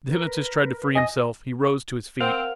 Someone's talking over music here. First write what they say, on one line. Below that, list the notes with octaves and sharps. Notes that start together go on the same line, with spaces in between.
The hypnotist tried to free himself; he rose to his feet.
A#4 B4
D#5 G#5 A#6
C4 A#4 C5 F5 F#5